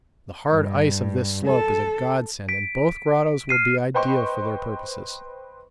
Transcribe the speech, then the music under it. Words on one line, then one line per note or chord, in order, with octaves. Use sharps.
The hard ice of this slope is a godsend and both grottoes will be ideal for their purposes.
G2
A4
B6 D7
F6 C7 D#7
B4 C5 D#5 G5 C6 C#6